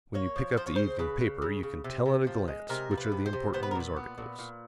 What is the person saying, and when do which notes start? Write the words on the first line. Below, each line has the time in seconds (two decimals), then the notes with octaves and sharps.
When you pick up the evening paper you can tell at a glance which are the important news articles.
0.14 A#3 C#5
0.36 F3
0.57 F3 C5
0.66 C#5
0.76 C#3 C5
0.99 C#3 B4
1.21 C#3
1.42 C#3
1.63 C#3
1.84 C3
2.06 C3
2.27 F3
2.48 G#3
2.69 C3 A#4
2.91 F3
2.98 B4
3.12 C3
3.26 C5
3.33 C3
3.53 B3 C5
3.63 B4
3.71 A#4
3.75 A#2 B4
3.96 B3
4.18 A#2
4.39 A#2